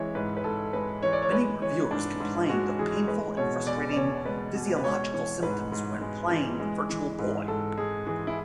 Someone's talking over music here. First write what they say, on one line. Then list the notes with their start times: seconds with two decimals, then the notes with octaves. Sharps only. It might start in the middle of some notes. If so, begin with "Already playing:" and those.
Many reviewers complained of painful and frustrating physiological symptoms when playing the Virtual Boy.
Already playing: E3 G#3 C#5 E5
0.15 G#2 B4
0.37 B4
0.44 G#2 A4
0.73 G#3 B4
1.02 E3 C#5
1.13 D5
1.22 C#5
1.32 G#3 B4
1.62 E3 C#5
1.91 G#2 D4
2.20 G#2
2.49 G#3 F#4
2.79 E3 G#4
3.08 G#3 B4
3.37 B2 C#5
3.67 E2 D5
3.92 D5
3.96 E2 C#5
4.25 G#3 B4
4.55 B2
4.76 B4
4.84 G#3 C#5
5.13 E3 C#5
5.43 G#2 B4
5.72 G#2
6.01 G#3
6.31 E3
6.60 G#3
6.89 E3
7.19 G#2
7.48 G#2 A4
7.77 G#3 G#4
8.06 E3 G#4
8.27 E4